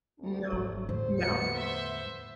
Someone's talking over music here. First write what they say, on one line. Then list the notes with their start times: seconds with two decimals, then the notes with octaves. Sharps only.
No, no.
0.20 D2
0.52 G#1
0.89 E2 A2 D3 A3 C5
1.19 B3 C#7
1.55 C5 E5